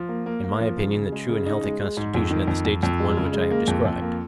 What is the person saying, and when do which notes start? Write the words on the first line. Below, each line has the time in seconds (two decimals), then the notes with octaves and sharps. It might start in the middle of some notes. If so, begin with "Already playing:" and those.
In my opinion the true and healthy constitution of the State is the one which I have described.
Already playing: F3
0.09 A#3
0.26 A#3
0.44 A#3
0.61 F3
0.77 C#3
0.95 C#3
1.12 G#3
1.29 C#3
1.46 D#4
1.63 G#3
1.81 G#3
1.97 G#2
2.14 F2
2.31 D#3
2.48 F2
2.65 F2
2.83 F2
3.00 G#3
3.17 C#3
3.33 G#3
3.51 A#3
3.68 F2
3.85 F2
4.02 A#3